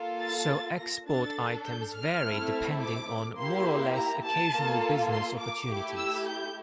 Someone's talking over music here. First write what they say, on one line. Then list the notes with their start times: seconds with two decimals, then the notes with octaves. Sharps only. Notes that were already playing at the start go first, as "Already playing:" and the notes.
So export items vary depending on more or less occasional business opportunities.
Already playing: A#3 F4 A4
0.21 A6
0.78 A#6
1.07 D4 A4 A6
1.64 G6
1.94 F6
2.22 A3 C4 E4 A4
2.80 D6
3.37 A#3 E4 G4 C6
3.95 A#5
4.25 A5
4.53 A#3 F4 A4
5.10 C6
5.39 D6
5.68 A3 E4 G4
5.97 E6
6.27 G6